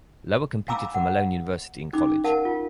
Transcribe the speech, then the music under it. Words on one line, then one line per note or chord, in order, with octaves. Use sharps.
Lower competed for Malone University in college.
F5 G#5 A#5 B5 D6 E6
F#5
C#4 D#4 D6
A#4 F5 F#5 A5
F4